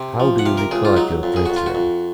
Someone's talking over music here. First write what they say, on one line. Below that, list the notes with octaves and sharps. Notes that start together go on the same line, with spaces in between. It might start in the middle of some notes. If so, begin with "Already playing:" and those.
How do you regard your brethren?
Already playing: C3
F3
F#5
C3 F5
A#4
C#2 G#4
F4
F#3 D#4
F2
G#4
F2 F#4
F4
F#4
F2